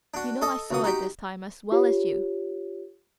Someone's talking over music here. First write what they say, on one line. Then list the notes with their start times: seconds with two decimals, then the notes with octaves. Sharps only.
You know I saw it this time as well as you.
0.14 D4 F#4
0.42 A4 D#5 A5
0.71 C#2 B2 D#6
0.84 D#4 F#4 G4
1.72 F4 G4 C#5